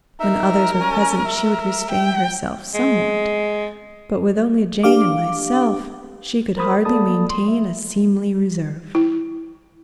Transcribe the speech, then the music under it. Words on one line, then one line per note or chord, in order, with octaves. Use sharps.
When others were present she would restrain herself somewhat, but with only Jane and myself, she could hardly maintain a seemly reserve.
D#4 A#4 E5
C#4 G#5
E5
G5
G#3
D4 G4 F5 D6
A#4 C5 B5 D#6
A#3 A4 D5 A5 B5 D#6
C6
E5
E4